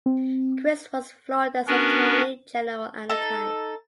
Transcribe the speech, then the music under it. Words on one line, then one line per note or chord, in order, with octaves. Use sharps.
Crist was Florida's Attorney General at the time.
C4
B3 C#4 D4 F#4 A#4 B4
D#4 A4